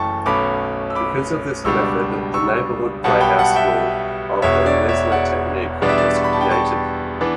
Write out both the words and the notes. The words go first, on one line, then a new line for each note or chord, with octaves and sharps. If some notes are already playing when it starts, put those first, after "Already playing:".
Because of this method the Neighborhood Playhouse School of the Meisner Technique was created.
Already playing: F#1 F#2 E3 A3 G5 A5 C#6
B1 B2 A3 C#4 B5 D6
E6
B5 D6
C#2 B2 G3 D4 C#6 E6
C#6 E6
B1 B2 G3 F#5 A5
G5 B5
F#5 A5
E5 G5
E1 E2 B2 C#5 E5
D5
C#5 E5
D5 F#5
E2 B2 G3 B3 D4 D5
E5
D5
C#6
B5
A5
G5 B5
A5 C#6
E3 B3 D4